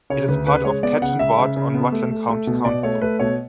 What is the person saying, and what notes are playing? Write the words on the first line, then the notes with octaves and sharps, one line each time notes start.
It is part of Ketton ward on Rutland County Council.
C#3 C#5
D2 B4
C#3 B4
G#3 C#5
B3 D5
C#3 F#5
G#3 E5
C#3
C#3
B3
A3
A3
A3
B2
B2 D5
A3 C#5
A3 B4
B2 C#5